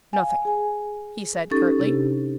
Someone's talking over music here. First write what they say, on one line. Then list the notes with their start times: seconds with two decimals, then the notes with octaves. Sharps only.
"Nothing," he said curtly.
0.13 F5 G#5
0.45 G#4 G#5
1.51 C#4 D#4 G4 A4 C#6 A6
1.80 C3 D4 G4